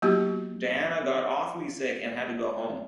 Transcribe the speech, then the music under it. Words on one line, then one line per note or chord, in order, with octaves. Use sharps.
Diana got awfully sick and had to go home.
F#3 A#3 B3 E4 F#4 G4